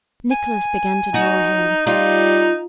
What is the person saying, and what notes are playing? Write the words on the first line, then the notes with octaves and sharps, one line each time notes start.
Nicholas began to draw ahead.
G#5
D#4 F#4
G3 D#4 F4